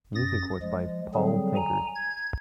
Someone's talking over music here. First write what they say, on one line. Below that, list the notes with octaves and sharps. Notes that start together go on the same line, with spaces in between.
Music was by Paul Tankard.
F#2 D#6 A6 A#6
F3 G#3
D3 F#3 G3 C4 G#4
G#5 A#5
G#6